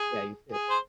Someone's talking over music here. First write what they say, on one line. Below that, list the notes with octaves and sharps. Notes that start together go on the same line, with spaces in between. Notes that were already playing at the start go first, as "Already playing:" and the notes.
Yeah, you too.
Already playing: G#4
G#4
C5